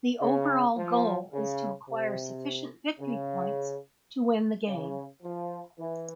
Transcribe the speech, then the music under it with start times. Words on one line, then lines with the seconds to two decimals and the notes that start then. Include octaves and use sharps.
The overall goal is to acquire sufficient victory points to win the game.
0.22 C#3
0.78 F3
1.34 C#3
1.89 C3
3.00 C#3
4.67 C#3
5.23 F3
5.79 E3